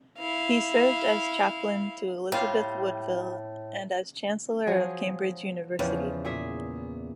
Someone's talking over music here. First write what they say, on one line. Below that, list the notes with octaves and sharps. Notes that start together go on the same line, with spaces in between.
He served as chaplain to Elizabeth Woodville and as Chancellor of Cambridge University.
E4 F5
A2 G3 F4
F3 F#3 G#4
E2 C#3 F3
A#2 G#4 E5